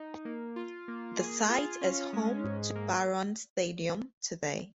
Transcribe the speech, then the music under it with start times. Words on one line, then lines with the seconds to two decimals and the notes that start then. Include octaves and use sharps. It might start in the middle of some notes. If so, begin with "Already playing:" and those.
The site is home to Barron Stadium today.
Already playing: D#4
0.25 A#3
0.56 F4
0.88 A#3
1.19 G#4
1.50 F4
1.81 C#4
2.13 G#3
2.44 G#2
2.75 A#3